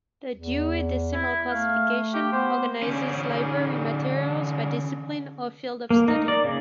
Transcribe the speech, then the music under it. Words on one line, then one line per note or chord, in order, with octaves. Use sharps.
The Dewey Decimal Classification organizes library materials by discipline or field of study.
E2
E4
A3 F5
G4
B3 C5
D3 C#4
A#3
D#4
D5
C#3